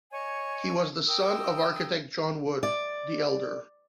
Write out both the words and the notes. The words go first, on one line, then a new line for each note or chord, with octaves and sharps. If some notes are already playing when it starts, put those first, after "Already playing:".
He was the son of the architect John Wood, the Elder.
C#5 D#5 G#5 C#6
A#4 G5 D#6 E6
D5